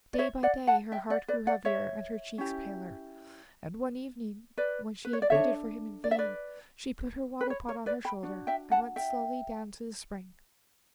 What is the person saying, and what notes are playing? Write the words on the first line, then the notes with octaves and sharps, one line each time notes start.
Day by day her heart grew heavier and her cheeks paler, and one evening, when she had waited for him in vain, she put her water-pot on her shoulder and went slowly down to the spring.
D5
C#5 E5
D5 F#5
F#5 A5
E5 G5
D5 F#5
B4 D5
D5 F#5
C#5 E5
C#4 E4 G4
B4 D5
B4
C#5
D5
D4 A4 C#5 E5
D5
E5
B4 D5
B4
C#5
C#5
B4 D5
G5 B5
D4 F#4
E5 G5
F#5 A5
E5 G5